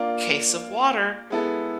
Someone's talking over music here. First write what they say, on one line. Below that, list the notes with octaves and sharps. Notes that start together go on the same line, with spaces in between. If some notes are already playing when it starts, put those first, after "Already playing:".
case of water
Already playing: A#3 D4 F4
G#3 B3 E4 A4